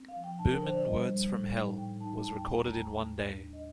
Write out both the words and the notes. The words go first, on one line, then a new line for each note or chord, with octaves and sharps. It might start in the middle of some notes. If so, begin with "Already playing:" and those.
"Boomin' Words from Hell" was recorded in one day.
Already playing: C4
F5
F3
G5
D4 A5
A#4
A#2 C5
D5
G3 D#5
G3
A2
D#4
A2 G5
D#4 A5
D#2 A5
G5
A3 G5
A#5
D#2 A5
D#2
D4
D4
D#5